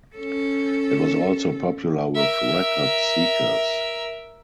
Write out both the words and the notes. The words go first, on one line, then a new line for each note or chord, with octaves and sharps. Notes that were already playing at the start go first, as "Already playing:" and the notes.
It was also popular with record-seekers.
C#4 A4
A#4 E5